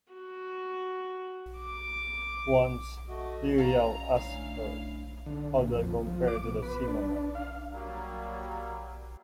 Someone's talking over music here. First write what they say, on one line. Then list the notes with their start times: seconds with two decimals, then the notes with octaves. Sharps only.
Once, Liu Yao asked her: How do I compare to the Sima man?
0.13 F#4
1.59 D6
3.09 A3 F#4 D#5
3.58 C#4 E4 F5 A#5
4.17 D2 F5
5.26 D3
5.58 A#2
5.74 F2
6.07 F3
6.28 D6
6.44 B2
6.63 B4
6.88 D4
7.35 F5
7.72 F#3 G3 A#3